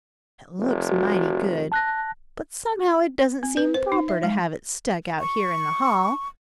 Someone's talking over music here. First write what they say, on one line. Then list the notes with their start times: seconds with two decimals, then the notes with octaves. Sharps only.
It looks mighty good, but somehow it doesn't seem proper to have it stuck out here in the hall.
0.59 F1
0.92 F#4
1.72 A5 F#6 A#6
3.43 C4
3.57 B4
3.74 C5
3.92 D#4
4.09 E5
4.23 G#3
5.20 C#6